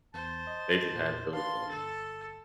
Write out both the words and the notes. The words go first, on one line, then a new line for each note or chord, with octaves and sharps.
They just had those, uh
E2 C5 A5
D#5
E2 A#2
D4 B4 F5 A5 C6
G1 A4 A6